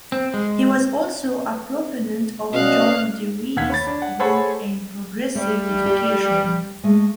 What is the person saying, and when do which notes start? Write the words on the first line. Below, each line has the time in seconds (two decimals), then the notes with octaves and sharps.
He was also a proponent of John Dewey's work in progressive education.
0.12 C4
0.34 G#3
2.53 B2 C#4 D5 D#5 F5 F#6
3.57 D#2 F#5 G#6 B6
3.69 C#5 B5 A6
3.87 D4
4.02 F#5
4.19 G#4 A4 C5 C#5 F#5 B5
5.35 G3 A3
5.86 G4
6.84 G#3 A3